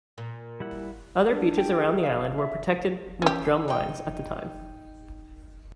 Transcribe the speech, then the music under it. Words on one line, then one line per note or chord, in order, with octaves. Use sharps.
Other beaches around the island were protected with drum lines at the time.
A#2
G3 E4 F#5
D4
G5
G#4
F5
E5
C#4 G4
D#4 D#5 G5